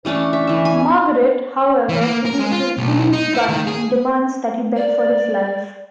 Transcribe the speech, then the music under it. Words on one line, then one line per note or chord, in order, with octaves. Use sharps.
Margaret, however, produces Billy's gun and demands that he beg for his life.
E3 A3 C#4 D4
E5
E3 E5
G#5
E3
A#3
A#4
G#3
F4
B1
D#4
E4
D#3
G#4
D5